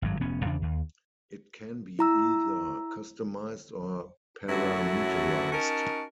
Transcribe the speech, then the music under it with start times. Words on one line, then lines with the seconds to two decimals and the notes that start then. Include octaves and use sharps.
It can be either customised or parameterised.
0.02 G#1 G2 F#3
0.20 F1 B3 C#4
0.45 E2 C#3 D4
0.62 D#2
1.99 E4 A#5 E6
4.49 F#2 A3 E4 F#4 A4 C#5
5.52 C#4 D#4 F#4 A#4 A5